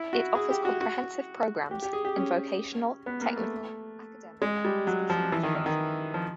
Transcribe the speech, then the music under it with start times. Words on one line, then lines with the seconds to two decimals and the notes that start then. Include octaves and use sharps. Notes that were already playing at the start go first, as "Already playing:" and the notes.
It offers comprehensive programs in vocational, technical, academic and special education.
Already playing: E4
0.13 F#4
0.35 G#4
0.50 G4
0.65 F#4
0.81 F#4
1.71 G4
1.82 G4
1.93 G#4
2.05 G4
2.16 C#4
3.06 B3
3.21 A#3
3.36 A3
4.42 G#3
4.65 G3
4.87 F#3
5.10 F3
5.32 E3
5.43 D#3
5.55 D#3
5.66 D#3
6.14 F3